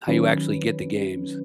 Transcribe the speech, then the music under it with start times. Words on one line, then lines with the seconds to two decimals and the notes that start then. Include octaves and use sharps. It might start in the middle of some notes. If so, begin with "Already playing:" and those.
how you actually get the games,
0.08 D#3 F#3 C#4 B4